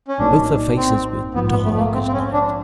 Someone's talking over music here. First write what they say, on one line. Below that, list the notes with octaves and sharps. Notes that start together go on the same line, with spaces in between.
Both their faces were dark as night.
C#4
A#1 A2 F#3 A#3 D4 D#4
C4
A#1 G#2 F3 B3
B3
A3
A3
A#3
C4
C4
C#4
D4